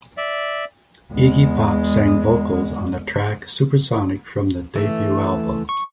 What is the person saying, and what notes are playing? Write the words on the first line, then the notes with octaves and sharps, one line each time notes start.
Iggy Pop sang vocals on the track "Supersonic" from the debut album.
D5 E5
E2 G#3
E3 A3
C#6